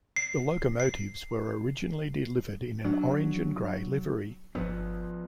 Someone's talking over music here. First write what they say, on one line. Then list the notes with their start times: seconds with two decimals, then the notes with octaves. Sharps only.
The locomotives were originally delivered in an orange and grey livery.
0.16 C7
0.80 C7
2.85 F#3 D4
4.55 G1 F3 B3